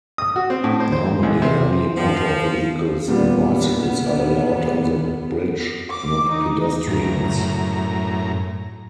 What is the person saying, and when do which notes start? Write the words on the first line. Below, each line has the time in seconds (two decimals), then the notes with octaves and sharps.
Normally, only motor vehicles and bicycles are allowed on the bridge-not pedestrians.
0.18 D#6
0.36 F#4
0.50 C4
0.64 A2
0.80 C5
0.92 C5
1.23 C#2
1.42 C3
1.96 F3
3.08 A#2 G3 B3
5.90 D6
6.29 D#4
6.87 F#2 A2 A#5